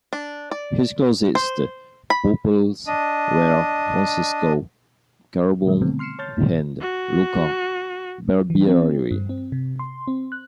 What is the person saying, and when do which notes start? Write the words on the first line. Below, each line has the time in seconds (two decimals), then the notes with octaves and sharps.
His closest pupils were Francesco Carbone and Luca Barbieri.
0.13 D4
0.51 D5
1.35 C5
2.10 B5
2.87 D4 D#5
5.66 A#2 D#3 G3 G#3
5.81 B2 D3 G3 A3 B3 C4
5.99 C6 F6 C7 C#7 E7
6.19 C#5 A5 C6 F6 G6 A6
6.38 G#2 B2
6.81 F#4
8.50 E3
8.68 C4
9.11 G2
9.29 C4
9.52 C3
9.79 C6
10.07 C4
10.32 F#6